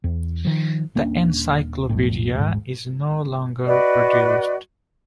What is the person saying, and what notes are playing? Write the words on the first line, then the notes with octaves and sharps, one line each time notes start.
The encyclopaedia is no longer produced.
E2
D#3 F3
D#1 A#3 C#4 D4
B1 F2 A2
D#1 G#1 G#2
F#4 B4 D5 D#5